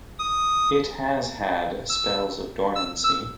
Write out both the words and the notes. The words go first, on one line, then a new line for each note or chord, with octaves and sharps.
It has had spells of dormancy.
D#6
E6
E6
E6